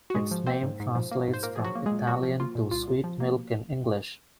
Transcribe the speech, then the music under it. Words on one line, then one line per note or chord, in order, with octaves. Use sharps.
Its name translates from Italian to 'sweet milk' in English.
F#4
G#2 G#3 G#4
F3
A#3 C4 C5
G#2
G#2
F3
A#3
G#2
C5
A#2 A#3 A#4
F3 G#4
F#3 F#4
A#3
G#3 G#4
A#2
A#2 F#3 F#4
F3
A#3 F4
A#2
C2 F4
C3
F3
A#3